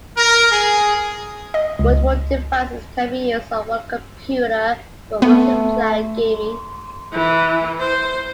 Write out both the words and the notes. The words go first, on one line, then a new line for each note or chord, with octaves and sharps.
Multiple devices can be used on one computer for multiplayer gaming.
A#4
G#4
D#5
C#2
A3 B3
E3
C5